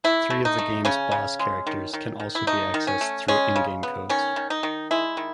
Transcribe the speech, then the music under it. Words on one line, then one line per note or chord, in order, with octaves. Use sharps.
Three of the game's boss characters can also be accessed through in-game codes.
A3 E4
A3
D#4
A3
C#3 C#4
C#3
G#3
D#3
D#3
D#3
E4
A3 D#4
D#3
C#4
A3
G#3 C#4
C#3
B3
D#3 C#4
D#3
D#4
D#3
G#3 E4
D#3